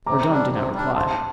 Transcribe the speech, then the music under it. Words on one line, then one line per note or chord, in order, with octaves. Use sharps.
Mordaunt did not reply.
C3 A#5 D6
G3 D4
C3
G3 D4
C3 A5 C6